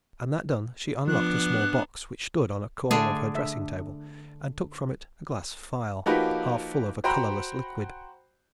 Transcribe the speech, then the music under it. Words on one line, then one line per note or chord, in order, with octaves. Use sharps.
And that done, she unlocked a small box which stood on a corner of her dressing table, and took from it a glass phial, half full of a colourless liquid.
F3 B3 D4 F#6
D3 A3 D4 G#4 A5
E5
F3 A#3 D#4 F#4 G4 B4
F#4 C5 F#5 G5 A#5 B5